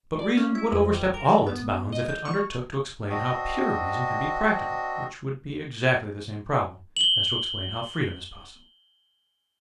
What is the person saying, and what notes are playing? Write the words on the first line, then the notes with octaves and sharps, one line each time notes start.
But reason would overstep all its bounds if it undertook to explain how pure reason can be practical, which would be exactly the same problem as to explain how freedom is possible.
D5
C#4
E4
F2
G3
A#4
B3
D#5
G6
C#6
C4 D4 F#4 D#5
F#7 G7